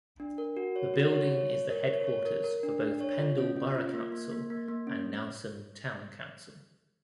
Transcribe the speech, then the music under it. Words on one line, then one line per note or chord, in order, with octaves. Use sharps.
The building is the headquarters for both Pendle Borough Council and Nelson Town Council.
D4
A#4
F#4
C#5
F#4
C#5
C#5
C#5
A#4
C#5
C#5
A#4
A#4
D4
D4
C#5
F4
C#4
C#4
F4
A#3
A#3
A#3
A#3
A#3
C#4